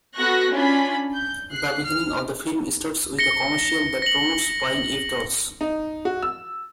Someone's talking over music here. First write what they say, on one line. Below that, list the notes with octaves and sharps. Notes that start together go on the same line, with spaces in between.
The beginning of the film starts with a commercial that promotes buying Eve dolls.
B3 F#4 A4 C#6 F#6 A#6
C#4 D4 F4 B5
G6
F#6 C7
F6
A#6 C#7 G7
A#6 F#7
D#4
F#4
E6